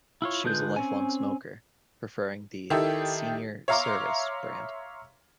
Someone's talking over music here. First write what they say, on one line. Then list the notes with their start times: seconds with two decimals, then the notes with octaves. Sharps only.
She was a lifelong smoker, preferring the "Senior Service" brand.
0.22 E4 F4 C#5
0.44 D3 G#3 F4 B4 G6
0.76 C4 C#4 G#5
2.70 D#3 D#4 E4 G4 A4
3.68 C#5 E5 F5 A#5 C6 D6